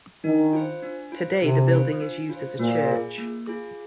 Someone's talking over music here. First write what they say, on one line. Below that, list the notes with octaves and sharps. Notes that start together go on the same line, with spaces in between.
Today the building is used as a church.
D#3 D4
F4 C5
D4
F4 C5
C3 D4
F4 C5
D4
F4 C5
A#2 A#3
F4 G#4
A#3
F4 G#4